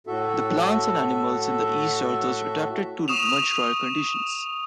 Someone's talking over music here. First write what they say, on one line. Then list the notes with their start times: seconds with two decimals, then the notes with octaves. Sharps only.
The plants and animals in the east are thus adapted to much drier conditions.
0.07 A2 F#4 A4 E5
3.08 C#6 D#6 E7 F7